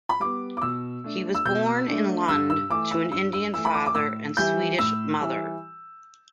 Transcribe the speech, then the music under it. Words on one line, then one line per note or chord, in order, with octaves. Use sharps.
He was born in Lund to an Indian father and Swedish mother.
B5
G3 B3 D6
D6
B2 E6
A3 D4
E6
B2 G6
A3 D4
G2 E6
E6
E3 A3 D6
E6
G2 E6
E6
E3 A3 E6
B5
D6
D6
A2 E6
E3 G3 E4 G6
A2 E6
E3 G3 E4